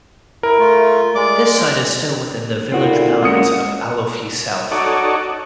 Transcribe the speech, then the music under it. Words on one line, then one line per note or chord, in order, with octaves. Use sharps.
This site is still within the village boundaries of Alofi South.
E4 A#4
A3 F4
G#3 D5 D6
A#2 D3 C4 E4 F#4
G#3 A#3 C#4 F4 F#5 D#6 C#7
D#4 F#4 A4 C#5 D5